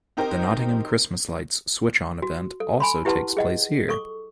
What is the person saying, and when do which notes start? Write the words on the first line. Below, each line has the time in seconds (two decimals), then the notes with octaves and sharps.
The Nottingham Christmas Lights switch-on event also takes place here.
0.17 C4 D#4 G4 A#4 C5 G5
2.22 F#4
2.60 A4
2.80 G#5 B5 C6
3.05 E4 G4 B4 F#5 A5 C6
3.37 G#4 D#5 F#5
3.89 A4 C#6 D6